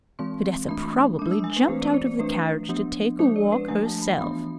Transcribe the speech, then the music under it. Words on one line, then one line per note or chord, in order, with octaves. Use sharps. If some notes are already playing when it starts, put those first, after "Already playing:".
Fidessa probably jumped out of the carriage to take a walk herself.
E3 G#3 C4 C6
E3 A3 D4 B5
G#3 D4 D6
E6
G#5
B4
E3 A3 C4 C5
D5
C5
C5
E3 A3 D4 B4
F3 B3 D4
F3 G#3 D4 C5
D5
B4
F3 A3 D4 G#5
A5
B5
E3 B3 D4 B5